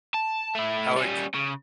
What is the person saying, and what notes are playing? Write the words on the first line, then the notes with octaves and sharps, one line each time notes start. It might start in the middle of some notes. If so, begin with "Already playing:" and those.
I like
A5
A3 E4
G3 C#4
C#3